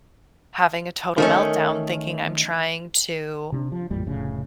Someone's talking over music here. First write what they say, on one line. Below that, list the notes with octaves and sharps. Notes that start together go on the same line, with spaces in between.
Having a total meltdown thinking I'm trying to
D#3 A3 C#4
C3 C#4 D4
F3
A1 F2 A#2 G3
F1 A2 C#3